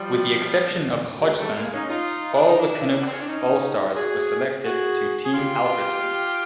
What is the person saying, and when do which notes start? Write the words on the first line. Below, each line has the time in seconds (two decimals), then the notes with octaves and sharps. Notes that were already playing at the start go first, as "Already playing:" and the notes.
With the exception of Hodgson, all the Canucks All-Stars were selected to Team Alfredsson.
Already playing: F3 G3
1.20 F#3 G#3
1.37 G3 A3
1.54 G#3 A#3
1.72 C#4 D#4
1.89 D#4 F4
2.34 D4
2.47 D#4
2.58 D4 E4
2.99 B3
3.06 C4
3.13 C#4
3.20 D4
3.27 C#4 D#4
3.96 F#4 G#4
4.65 F#4 G#4
5.24 G#4
5.33 F4 G4